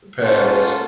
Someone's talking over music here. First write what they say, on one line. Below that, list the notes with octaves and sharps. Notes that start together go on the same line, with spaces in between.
the past
A#3 C#4 F4 A4 F#5